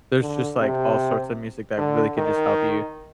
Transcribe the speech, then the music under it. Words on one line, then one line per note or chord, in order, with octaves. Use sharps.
There's just, like, all sorts of music that really could just help you,
D3
C3
D3
D#3